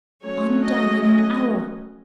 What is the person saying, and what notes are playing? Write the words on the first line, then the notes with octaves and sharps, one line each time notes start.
Undone in an hour!
F#3 A3 C#4 C#5
D#5
D#5